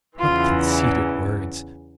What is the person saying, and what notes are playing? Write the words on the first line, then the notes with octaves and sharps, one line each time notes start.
What conceited words!
E2 C#3 E3 F4